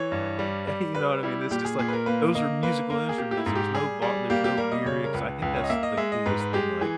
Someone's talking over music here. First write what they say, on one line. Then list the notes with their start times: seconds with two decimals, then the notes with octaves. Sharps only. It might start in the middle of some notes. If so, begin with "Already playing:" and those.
you know what I mean? It's just like those are musical instruments. There's no vo there's no lyrics. I think that's the coolest thing like,
Already playing: E3 C#5
0.12 G2
0.39 G3
0.67 G3
0.95 G3 B4
1.23 G3 E4
1.51 A#2 G4
1.65 G#4
1.78 A#2 G#4
1.88 B4
1.93 A#4
2.06 A#3 B4
2.35 A#3 D#5
2.63 A#3 B4
2.90 A#3 A#4
3.09 G#4
3.18 A#3 G4
3.31 G4
3.37 E4
3.46 G#2
3.55 G4
3.74 G3 G#4
4.02 G3 G#4
4.30 A#3 G4
4.44 G4
4.57 G3 A#4
4.72 D#5
4.86 C#3 C#5
5.04 A#4
5.14 C#2 B4
5.42 C#2 B4
5.56 C#5
5.64 D#5
5.70 A#3 E5
5.83 D#5
5.97 G#3 E5
6.12 D#5
6.26 G#2 B4
6.40 B4
6.53 G#3 G4
6.81 E3 G#4